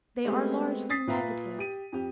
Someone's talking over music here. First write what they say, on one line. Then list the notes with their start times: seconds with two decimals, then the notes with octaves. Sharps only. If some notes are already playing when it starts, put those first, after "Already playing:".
They are largely negative.
0.25 G#3 A3 B3 C4 G4
0.90 D#6 A6 B6 C7
1.07 A#2 B4 E5 F5 A#5
1.59 G4 D#7
1.92 F2 G4